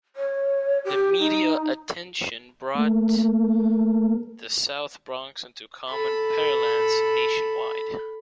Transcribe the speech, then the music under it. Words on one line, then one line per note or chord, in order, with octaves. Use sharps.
The media attention brought the South Bronx into common parlance nationwide.
C#5
G4
D#4
A3 A#3
A4 B5